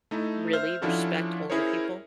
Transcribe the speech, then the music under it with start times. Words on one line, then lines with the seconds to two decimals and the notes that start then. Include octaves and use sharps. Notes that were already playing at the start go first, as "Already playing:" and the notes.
really respect older people
0.11 A3 D#4 E4
0.53 C5 E5 F6
0.82 F3 C#4 D4 E4 F#4 A4
1.50 C#4 E4 G#4 A#4 C5 C#5